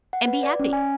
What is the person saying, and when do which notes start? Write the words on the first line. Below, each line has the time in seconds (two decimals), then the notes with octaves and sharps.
And be happy.
0.13 F#5
0.28 B4
0.43 D5
0.60 C#4
0.73 G#5